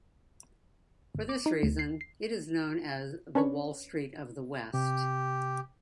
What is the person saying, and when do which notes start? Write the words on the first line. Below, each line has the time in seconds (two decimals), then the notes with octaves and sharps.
For this reason, it is known as "the Wall Street of the West".
1.15 G1
1.29 D6
1.46 D#4
1.63 D2
1.79 C7
2.01 C7
3.35 C#4 D4 B4 C#5
4.74 C3 G4